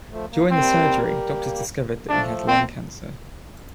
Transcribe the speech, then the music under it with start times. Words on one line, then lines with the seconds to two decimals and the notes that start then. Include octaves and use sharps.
During the surgery, doctors discovered that he had lung cancer.
0.12 F3 A3
0.32 A#3
0.51 C4
0.58 G3 A#3
2.09 F3 A3 D4
2.48 C4